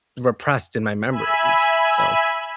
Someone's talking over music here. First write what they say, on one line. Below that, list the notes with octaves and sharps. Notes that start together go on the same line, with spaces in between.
repressed in my memories. So,
E5 G#5 B5